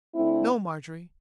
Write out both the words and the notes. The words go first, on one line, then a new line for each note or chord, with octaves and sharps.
No, Marjorie.
D3 A3 C4 E4